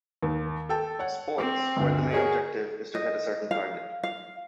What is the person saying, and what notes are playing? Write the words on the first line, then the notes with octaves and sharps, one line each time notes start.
Sports where the main objective is to hit a certain target.
D#2
A4 G5 A5
C#5 F#5
C4 D6
G1 D2
F#4 G#4 A#4 C#5 D#5
D#5
F5
F5